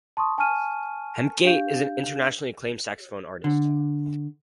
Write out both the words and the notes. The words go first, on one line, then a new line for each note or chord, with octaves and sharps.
Hemke is an internationally acclaimed saxophone artist.
A5 C6 C#6 D#6
G#5 A5 C#6 F6 D#7
D4 G4 F5 G6
D3